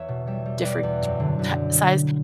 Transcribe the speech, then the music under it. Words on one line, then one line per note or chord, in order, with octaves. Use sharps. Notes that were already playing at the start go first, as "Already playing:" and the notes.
different t ta size,
Already playing: E2 B4 C#5 E5
B2
G3 C#5 E5
G3
G3 B4 D5
E2
F#2
D3
F#2